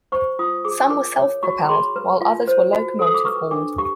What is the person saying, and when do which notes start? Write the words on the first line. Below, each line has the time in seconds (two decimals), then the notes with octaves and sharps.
Some were self-propelled, while others were locomotive-hauled.
0.12 C5 C#6
0.39 F4 D#6
0.65 G#4 D6
0.90 A#4 D6
1.17 C#5
1.43 F#4 C#6
1.65 B5
1.69 G#4 C6
1.96 B4
2.21 F4
2.47 C5
2.73 F#4
2.99 A4 D#6
3.14 D6
3.25 B4 C#6
3.51 D4 D6
3.78 G4 C#6